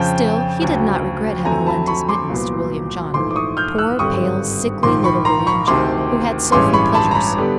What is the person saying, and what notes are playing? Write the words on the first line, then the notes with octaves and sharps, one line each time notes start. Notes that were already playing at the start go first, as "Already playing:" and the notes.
Still, he did not regret having lent his mittens to William John--poor, pale, sickly little William John, who had so few pleasures.
Already playing: F2 C#3 F3 G5 A5
D2 C#3 F#3
F2 D3 F#3 A3 C4 G#5 A#5
A5 B5
B5 C#6
C6 D6
C2 A#2 F#3 B3
A#1 G#2 E3 A3 C6 D6
D6
C#6 D#6
F6 G6
E6 F#6
G#1 G2 D3 G3 C4 C#6 D#6
A#1 G#2 D#3 C6 D6
B5 C#6
A#5 C6
B5 C#6
D2 C3 D#3 C6 D6
A1 G2 E3 G#3 C#4 C6 D6
B5 C#6
A5 B5
A#5
A5 B5
D3 G3 B3